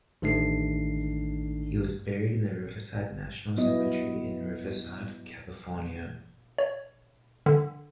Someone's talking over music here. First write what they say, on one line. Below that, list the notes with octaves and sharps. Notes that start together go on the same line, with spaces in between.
He was buried in the Riverside National Cemetery in Riverside, California.
A1 D#3 A3 D4 C7
F#3 B3 E4 D#5
C#5
D3